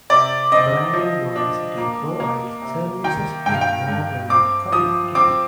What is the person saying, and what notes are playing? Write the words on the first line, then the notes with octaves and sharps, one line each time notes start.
Brandon University provides services in more remote communities.
C3 D5
C4 D#5
F3
D4
A#3
A#3
C3
D#3 G5
G2 G5
F5
G5
G2
C4 D6
F3 D#6
C4 D6